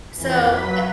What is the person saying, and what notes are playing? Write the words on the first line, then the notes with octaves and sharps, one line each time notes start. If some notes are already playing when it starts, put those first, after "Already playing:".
So, eh
F2 E3
F#3 B4 B6